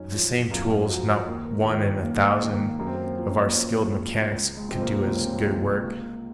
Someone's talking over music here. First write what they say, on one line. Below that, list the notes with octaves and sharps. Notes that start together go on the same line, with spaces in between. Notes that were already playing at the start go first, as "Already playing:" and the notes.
With the same tools not one in a thousand of our skilled mechanics could do as good work.
Already playing: F#2 C#4 D#4
F3
F#2 F4
F3 F#4
D#2 A#4
A#4
D#4
D#3 F4
C#4
D#2 A#3
G#3
D#3
A#3
F#2 A#3
C4
A#3
C4
F3
C#4
A#3
F#2 C4
F3 G#3
C#2
G#3
C3 F3 C4
A#3
C#2 C4
C#4
C4
C3 F3 G#3
C#2 A#3